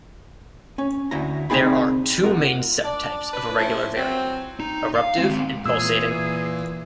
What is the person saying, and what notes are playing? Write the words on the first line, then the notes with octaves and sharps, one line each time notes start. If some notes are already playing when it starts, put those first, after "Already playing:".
There are two main sub-types of irregular variable: eruptive and pulsating.
C#4
D2 E4 A#5
C2 C4 D#4 G#4 B5
A3 F4 A#4 D#5 F#5
D4 D5
D4 B4
F3 C#4 E4
F#3 C4
D#4
F5
G#3 C4
A#2 E3 G#4 E6